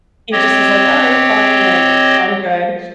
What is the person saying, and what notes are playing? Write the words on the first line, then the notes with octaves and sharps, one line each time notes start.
he just was like, "Alright, fine. Like, I'm good,"
C4 G4 C#5 D#5